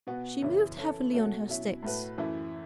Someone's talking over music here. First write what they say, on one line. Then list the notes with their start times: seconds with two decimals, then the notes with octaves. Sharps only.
She moved heavily on her sticks.
0.07 B2 B3 F#4
0.42 F#2 C#3 E3 C#4 E4
0.77 E3 C#4 E4 A4
1.13 B2 A3 C#4 F#4 A4
1.48 B2 F#3 C#4 E4
1.82 A2 A3 F#4 B4
2.18 F#2 E3 A3 E4